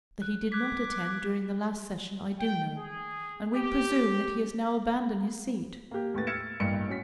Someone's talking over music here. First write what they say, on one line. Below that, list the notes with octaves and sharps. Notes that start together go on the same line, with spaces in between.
That he did not attend during the last Session I do know, and we presume that he has now abandoned his seat.
F#6
D6 F#6 G#6 B6
G5
G#4
G4
A#3 G4
D#2 A2 B3 A6
E6 F6 G#6 A6 C#7 E7
A1 G2 A#3 C#7
C#4 F#4 B6